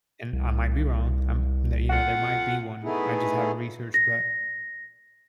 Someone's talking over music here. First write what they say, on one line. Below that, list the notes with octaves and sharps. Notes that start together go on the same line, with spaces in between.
and I might be wrong. Um, there, you know, there might be one. I just haven't researched, but
C2
F2 F4 F#5
A3 B3 D#4 E4 G#4
A#6